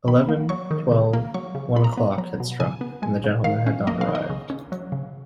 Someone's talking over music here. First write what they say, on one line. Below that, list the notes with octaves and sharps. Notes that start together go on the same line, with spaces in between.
Eleven — twelve — one o’clock had struck, and the gentlemen had not arrived.
D#3 B5
A#3
F#3 C#6
D#3
C#3
A#3
F#3 C#6
C#3
F4 B5
A#5
B3 B5
F#3 A#5
B2
C#3 G#5
B3
G#3 G#5
C#3
D#3 F5
C#4
A#3 D#5
F5
D#3
D#5
C#3
C#4
F#3
C#3